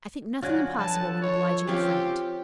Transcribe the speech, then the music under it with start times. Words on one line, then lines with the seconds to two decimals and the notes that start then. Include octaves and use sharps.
"I think nothing impossible when obliging a friend."
0.43 F#3 D4 F4 F#4 G#5
0.79 F3 A4 B4 A5
1.22 C#5
1.67 C4 C#4 F4 G4